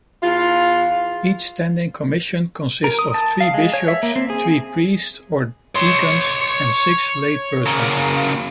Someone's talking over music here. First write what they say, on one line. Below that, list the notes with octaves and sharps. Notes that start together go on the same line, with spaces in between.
Each standing commission consists of three bishops, three priests or deacons, and six laypersons.
E2 F4
A#4
D#6
A5
F5
G#3
C#5
E5
A#3
C4
G#4
C#5 C6
C#3 A#3